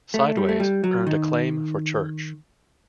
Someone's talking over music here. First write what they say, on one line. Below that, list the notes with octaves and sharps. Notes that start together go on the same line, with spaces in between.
"Sideways" earned acclaim for Church.
A3
G3
A3
G3
F#3
D#3